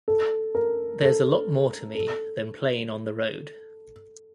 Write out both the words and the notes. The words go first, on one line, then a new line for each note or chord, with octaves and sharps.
There's a lot more to me than playing on the road.
A4
A#4
A4
A4